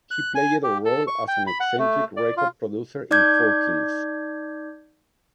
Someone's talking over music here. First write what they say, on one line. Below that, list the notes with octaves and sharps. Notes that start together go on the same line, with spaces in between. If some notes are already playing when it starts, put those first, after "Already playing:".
He played a role as an eccentric record producer in "Four Kings".
F#6
G#5
G4
A4
C#6
G5
B5
F#5
A3
D5
F4
D#4 D5 D6 G6 G#6